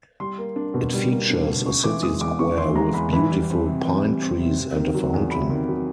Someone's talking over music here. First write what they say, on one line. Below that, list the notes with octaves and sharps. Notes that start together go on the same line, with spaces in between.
It features a city square with beautiful pine trees and a fountain.
G3 C6
A#3
D4
B2
G3
A#3
D4
B2
C#3 C#6
E3 D6
G#3 D#6
E2 D6
C#3 C#6
E3 C6
G#3 A#5
E2 B5
E3 B5
G3
C4
C3
E3
G3
C4
C3
C3
D#3
F#3
E2
C3 B5
D#3
F#3